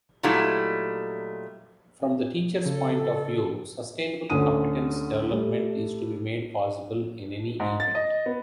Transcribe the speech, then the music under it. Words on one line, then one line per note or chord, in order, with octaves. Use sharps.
From the teacher's point of view, sustainable competence development is to be made possible in any event.
A#2 F#3 G3 A3 D#4 E4
C#3 A4
D2 D3 C#4 A4 D#6 D#7
G3 A3
G#2
A6
D#5
B3